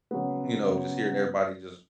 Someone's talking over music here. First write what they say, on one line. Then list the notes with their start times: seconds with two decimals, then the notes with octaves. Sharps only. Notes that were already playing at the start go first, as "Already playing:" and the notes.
you know, just hearing everybody just
0.11 C#3 F#3 B3
0.66 C#3 F#3 B3